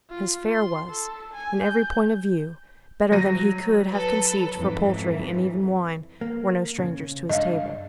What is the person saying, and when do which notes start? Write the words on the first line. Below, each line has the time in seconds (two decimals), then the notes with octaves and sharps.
His fare was, in every point of view, better than he could have conceived, for poultry, and even wine, were no strangers to his table.
0.10 F4
0.51 C6
0.89 A4
1.33 G#5
1.63 G6
3.12 F#3 A#6 D#7
3.94 A4 B4
4.56 F2 G#2 E3
6.21 A#3
6.79 C#3
7.29 G2 G#3 D4 D#5 F5